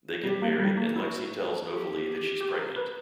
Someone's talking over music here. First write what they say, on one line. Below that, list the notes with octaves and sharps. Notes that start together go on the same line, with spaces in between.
They get married, and Lexie tells Novalee that she's pregnant.
G3 G4
A#3
G3
A#3
E4 F#4
G4
G4
A#4
B4